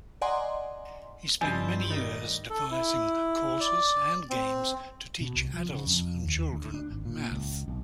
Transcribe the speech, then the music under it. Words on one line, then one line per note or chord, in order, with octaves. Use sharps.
He spent many years devising courses and games to teach adults and children math.
D5 D#5 F#5 G#5 A#5 C6
G2 F3 G3 C4 E4 D#5 G#5
D#3 G3 A3
A4
E4
D5
C4
B2
C2
F3
C#3
F2
D#2
D2
D4
G#1
A#2
C#2
B1